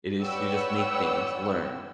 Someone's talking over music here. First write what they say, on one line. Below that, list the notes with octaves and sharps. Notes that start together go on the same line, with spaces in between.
It is to just make things, learn,
B4 C#5 D5 F#5 G5 E6